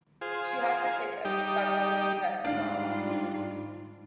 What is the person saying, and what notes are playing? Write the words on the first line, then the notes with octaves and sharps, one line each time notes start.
She has to take a psychology test tomorrow.
F4 G#4 C5
G3 D#4 G4
G#2 G3 D4 D#4 F4 F5